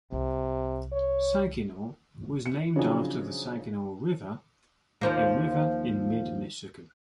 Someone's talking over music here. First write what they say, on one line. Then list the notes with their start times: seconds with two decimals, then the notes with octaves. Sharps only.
Saginaw was named after the Saginaw River, a river in mid-Michigan.
0.12 C2 C3
0.92 C#5
2.46 C#7
2.76 C#3 F3 F#3 D4 D#4 G#4
5.01 D#2 F3 A#3